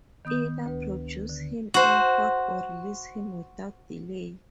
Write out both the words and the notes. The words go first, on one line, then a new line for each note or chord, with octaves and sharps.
Either produce him in court or release him without delay.
D#3 B3 D#6 G6
D2 B4
D3
F#4 C5